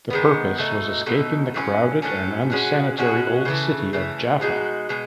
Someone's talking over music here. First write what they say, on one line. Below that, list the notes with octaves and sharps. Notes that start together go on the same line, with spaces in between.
The purpose was escaping the crowded and unsanitary Old City of Jaffa.
D#3 G#3 B3
B2 A3 D#4
B2 A3 D#4
A2 F#3 A3 C#4
A2 F#3 A3 C#4
B2 G#3 C#4 F#4
B2 G#3 C#4 F#4
C#3 E3 A3
C#3 E3 A3
B2 G#3 D#4 F#4
B2 G#3